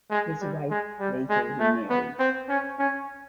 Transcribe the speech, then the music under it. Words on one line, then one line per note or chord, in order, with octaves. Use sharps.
His wife later remarried.
G#3
G3
G#3
G3
G#3
A3
B3
C4
C#4
C#4